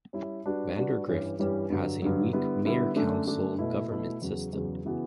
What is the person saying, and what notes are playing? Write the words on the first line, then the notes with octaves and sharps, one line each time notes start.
Vandergrift has a weak mayor-council government system.
G3 C#4 E4
G3 D4 F#4 B4 D5
G3 D4 F#4 B4 D5
G2 E3 G3 C#4 G4
G2 E3 G3 C#4 G4
G2 D3 F#3
G2 D3 F#3
D3 G3 B3 E4 B4
D3 G3 B3 E4 B4
F#2 D3 A3 D4
F#2 D3 A3 D4
B2 A3 E4
B2 A3 E4
E2 C#3 F#3
E2 C#3 F#3
C#3 E3 B3 F#4